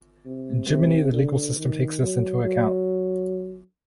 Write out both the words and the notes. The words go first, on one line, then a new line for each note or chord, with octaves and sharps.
In Germany the legal system takes this into account.
C3
C3
D3
D#3
F#3
F#3